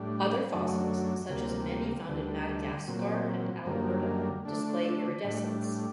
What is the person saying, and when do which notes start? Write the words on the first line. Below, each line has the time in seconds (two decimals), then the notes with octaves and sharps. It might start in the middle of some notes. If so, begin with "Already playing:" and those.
Other fossils, such as many found in Madagascar and Alberta, display iridescence.
Already playing: A2 G3 D4
0.52 F#2 F#3 A3 D4
1.29 D2 C3 G3 A#3
2.08 D2 D3 G3
2.87 A#2 F#3 C4
3.66 F#2 D3 G3 A#3
4.45 D3 A3 D4
5.24 A2 G3 D4